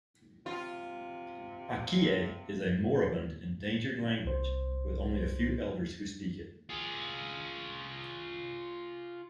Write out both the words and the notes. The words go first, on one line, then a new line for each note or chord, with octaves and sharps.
Akie is a moribund endangered language, with only a few elders who speak it.
C3 F4
C2 C5
F4 G#4